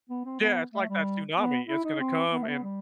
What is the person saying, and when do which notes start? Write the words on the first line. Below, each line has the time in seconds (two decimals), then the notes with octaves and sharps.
Yeah, it's like that tsunami, it's gonna come, and
0.09 B3
0.25 C4
0.40 B3
0.73 A3
0.89 G3
1.37 B3
1.68 E4
1.84 D#4
2.00 C4
2.32 B3
2.42 A3
2.48 B3
2.63 G3